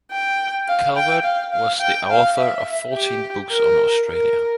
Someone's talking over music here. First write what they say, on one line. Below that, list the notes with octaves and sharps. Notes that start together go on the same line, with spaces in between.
Calvert was the author of fourteen books on Australia.
G5
F5
G5
F5
F5
G5
F5
E5
G4
A#4
A#4